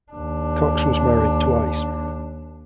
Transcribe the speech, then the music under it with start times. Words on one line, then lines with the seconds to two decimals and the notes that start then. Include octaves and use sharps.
Cox was married twice.
0.12 D#2 D4